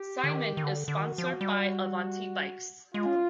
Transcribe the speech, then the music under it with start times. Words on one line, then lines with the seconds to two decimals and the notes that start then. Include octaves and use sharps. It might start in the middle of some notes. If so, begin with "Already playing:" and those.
Simon is sponsored by Avanti Bikes.
Already playing: G4
0.24 D3
0.30 D#3
0.57 D#3
0.63 D3
0.88 D3
0.96 D#3 F#4
1.18 F3
1.41 G3
2.94 G#3 F4
3.06 C#4